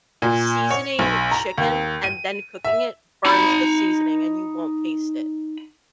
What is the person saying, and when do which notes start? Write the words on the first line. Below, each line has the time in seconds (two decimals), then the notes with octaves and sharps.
seasoning chicken and then cooking it burns the seasoning and you won't taste it.
0.22 A#2
0.71 C#5
0.99 B1
1.31 A#5
1.58 D#2
2.04 D#7
2.65 E5
3.25 D#4 B5